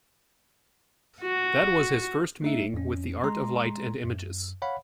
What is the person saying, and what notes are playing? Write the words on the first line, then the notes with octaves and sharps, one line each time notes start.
That was his first meeting with the art of light and images.
F#4
A3 D#4 E5
F2 C#4
G#3 A#5 C6
F#2
C#5 F5 F#5 B5